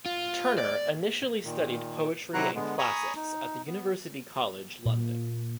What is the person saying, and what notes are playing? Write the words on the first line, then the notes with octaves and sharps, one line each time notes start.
Turner initially studied poetry and classics at the University College London.
F4
D5
A#2 D#3
C3 F#3 E4 F#4 A#5 F#6
D3 G#3 B3
G#5 A#5 B5 C#6 D#6
D#4
B3
A#2